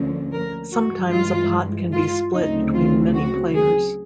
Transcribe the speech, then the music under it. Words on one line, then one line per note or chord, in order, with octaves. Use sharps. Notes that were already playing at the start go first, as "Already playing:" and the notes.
Sometimes a pot can be split between many players.
Already playing: D2 D3 F3 A#3 C#4
A#4
G2 E3 G#3 F#4
F4
F4
D2 C#3 F#3 A3 C4 D#4
F4
F#4
G#4